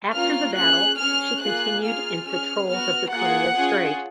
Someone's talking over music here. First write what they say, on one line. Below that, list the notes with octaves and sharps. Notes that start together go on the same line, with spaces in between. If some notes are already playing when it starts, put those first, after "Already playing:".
After the battle, she continued in patrols of the Korea Strait.
A#3 C#4 F4 F6
C#4 G#4 F#6
C#4 G#4 F6
A#3 F4 G#4 F#6
A#3 F4 G#4 F6
C#4 G#4 F6
B3 F#4 F6
A#3 F4 G#4 F#5
C#4 F4 G#4